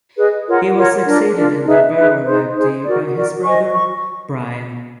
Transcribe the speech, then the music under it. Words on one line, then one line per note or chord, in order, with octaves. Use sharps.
He was succeeded in the baronetcy by his brother Bryan.
G#4 B4 D#5
F4 A#4 C#5 F#5
F4 A#4 C#5 F#5
D4 F4 A#4 D5
D4 F4 A#4 D5
D#4 G#4 B4 E5
D#4 G#4 B4 E5
D#4 G#4 C5
D#4 G#4 C5
F#4 A#4 D5
F#4 A#4 D5
C5 D#5 G#5 C#6
C#6